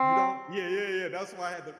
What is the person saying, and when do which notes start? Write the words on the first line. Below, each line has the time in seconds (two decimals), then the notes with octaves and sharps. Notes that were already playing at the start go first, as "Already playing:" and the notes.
You don't Yeah, yeah, yeah, that's why I had to
Already playing: C4